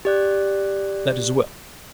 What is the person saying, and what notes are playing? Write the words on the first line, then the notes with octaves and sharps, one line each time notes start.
"That is well."
G4 D5 F#6